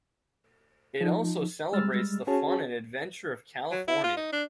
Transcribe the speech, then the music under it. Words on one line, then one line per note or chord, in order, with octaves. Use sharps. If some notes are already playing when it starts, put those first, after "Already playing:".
It also celebrates the fun and adventure of California.
F3 D#4
G3 G#3 E6 F6 A6
C#4 F#4 G#4 C#5 A5
F#3
E4
F4
D#4
D4